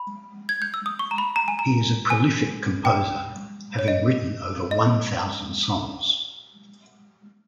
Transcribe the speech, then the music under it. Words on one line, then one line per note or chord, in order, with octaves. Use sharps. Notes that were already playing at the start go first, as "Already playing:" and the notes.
He is a prolific composer, having written over one thousand songs.
Already playing: B5
G#6
G6
E6
D#6
C#6
A#5
B5
A#5
G#5
A#5
G#5
G5
C#5
D#5
D#5